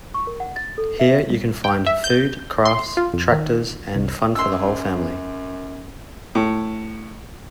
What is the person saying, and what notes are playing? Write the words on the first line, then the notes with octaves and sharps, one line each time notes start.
Here you can find food, crafts, tractors, and fun for the whole family.
C#6
A#4
F#5
A6
A4
E5
C2
G5
E5
G6
C6
F4
F2
D#3
C2
F#2 C6 E6
A2